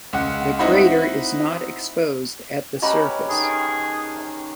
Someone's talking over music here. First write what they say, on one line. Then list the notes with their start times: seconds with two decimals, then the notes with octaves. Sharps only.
The crater is not exposed at the surface.
0.13 C#2 F#5
0.59 C4 D#4 E4 F#4 F#5 B5
2.82 C#4 G4 B4 D#5 A#5 B5
3.29 D#3 G#4 A5